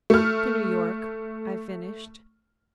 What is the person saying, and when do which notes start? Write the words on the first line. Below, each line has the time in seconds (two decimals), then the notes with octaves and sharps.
"To New York," I finished.
0.10 A3 F6